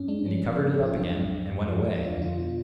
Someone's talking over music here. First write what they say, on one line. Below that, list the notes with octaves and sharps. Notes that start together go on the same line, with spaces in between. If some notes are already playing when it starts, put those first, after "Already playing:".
Then he covered it up again, and went away.
Already playing: F#2 C#4
G#3 D4
D4
F3 C#4
F3
G#2
A1
F4
F#3 D4
G#2
F2
F2
F3
F3
F2 F4
D3 F4
B2 F4